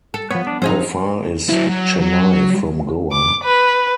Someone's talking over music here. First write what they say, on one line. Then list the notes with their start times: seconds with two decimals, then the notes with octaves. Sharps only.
How far is Chennai from Goa?
0.14 A4
0.31 F3 B3 C#5
0.47 D4
0.62 F3 F#3 C4 D#4 G#4 C5
1.49 F#3 E4
1.69 F#3
2.00 F#3
3.12 D6
3.44 B4